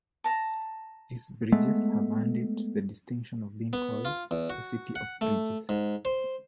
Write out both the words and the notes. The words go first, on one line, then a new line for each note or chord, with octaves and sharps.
These bridges have earned it the distinction of being called the "City of Bridges".
A5 A#5
G#3 A3 B3
B3
F4
E2
F#4
F#5
A3
G#2
C5